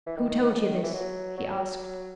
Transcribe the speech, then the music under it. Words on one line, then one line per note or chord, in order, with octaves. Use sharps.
"Who told you this?" he asked.
E3
D#3
D#3
D#3
C#3
D#3
D#3
E3
F#3
F#3